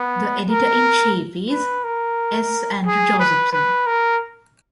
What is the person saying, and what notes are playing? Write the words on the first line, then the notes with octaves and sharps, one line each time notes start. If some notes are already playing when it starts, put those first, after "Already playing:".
The editor-in-chief is S. Andrew Josephson.
Already playing: B3
A#4
B4
A#4
G#4
B4
B4
A#4